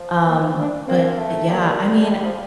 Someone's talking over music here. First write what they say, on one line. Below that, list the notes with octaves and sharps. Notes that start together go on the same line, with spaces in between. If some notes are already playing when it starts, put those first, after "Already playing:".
Um, but yeah, I mean,
Already playing: F3
A#3
D4
A#3 C4
A3
G3 A#3
A3
G3
F3